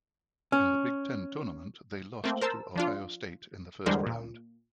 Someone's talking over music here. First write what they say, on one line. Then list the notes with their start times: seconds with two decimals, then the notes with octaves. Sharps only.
In the Big Ten Tournament they lost to Ohio State in the first round.
0.52 C#4
2.24 A3 A#3 C4
2.41 A#4 C5 A5 E6
2.76 F3 D4 F4
3.86 E2 D3 G3 G#3 A#4 C5
4.07 A#2